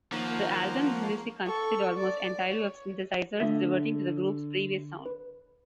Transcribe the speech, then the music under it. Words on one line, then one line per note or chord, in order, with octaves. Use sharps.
The album's music consisted almost entirely of synthesizers, reverting to the group's previous sound.
D#3 F3 A#3 C#5 F#5 A#5
A4 C#6
D5
C#5
D3 A3 F4 E5
B4